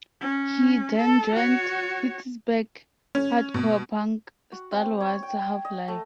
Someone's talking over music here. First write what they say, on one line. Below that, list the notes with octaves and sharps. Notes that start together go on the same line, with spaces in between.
He then joined Pittsburgh hardcore punk stalwarts Half Life.
C#4
A4
F#4 C#5
C#4
B2
F#4
C4
C#5
G5
D#5
A3